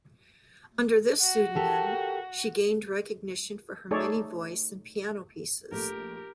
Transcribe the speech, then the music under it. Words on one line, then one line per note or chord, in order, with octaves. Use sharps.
Under this pseudonym, she gained recognition for her many voice and piano pieces.
F#4
G4 A4 A#4
A3 D#4 G#4 A4 C#5 D5
A#1 A3 G4 A#4